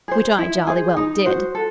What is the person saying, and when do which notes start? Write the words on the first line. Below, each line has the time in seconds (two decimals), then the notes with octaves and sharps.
Which I jolly well did.
0.08 G#4 C5
0.39 E4
0.67 G#4 C5
0.97 D#4
1.26 F#4 C5
1.55 A4